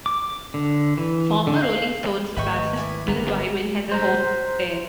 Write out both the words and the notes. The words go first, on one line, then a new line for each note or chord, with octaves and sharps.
Former Rolling Stones bassist Bill Wyman has a home there.
D6
D3
E3
D3
F5
G#1 A3 G4 B4 D#5 E5 C#6
G3 E4 G#5
G1 G2 B3 A#4 A#5
C5 A#5